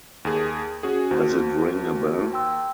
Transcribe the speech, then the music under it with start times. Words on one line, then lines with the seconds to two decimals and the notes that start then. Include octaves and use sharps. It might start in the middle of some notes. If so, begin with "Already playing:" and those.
Does it ring a bell?
0.25 D#2 G#4
0.83 C#4 F#4 G#4
1.11 D#2 F#4 C5
2.33 G5 C6 E6